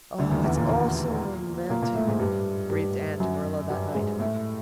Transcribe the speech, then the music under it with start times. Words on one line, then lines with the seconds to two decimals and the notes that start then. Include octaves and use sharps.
"Oh, it's all so romantic," breathed Anne to Marilla that night.
0.18 D2 D3
0.27 E3
0.31 D#2 D#3
0.44 E2 E3
0.57 A#2 A#3
0.69 A#2 A#3
1.70 A#2 A#3
1.82 A#2 A#3
1.94 A2 A3
2.07 G#2 G#3
2.19 G2 G3
2.70 G2 G3
3.20 F#2 F#3
3.70 G2 G3
3.95 G#2 G#3
4.20 A2 A3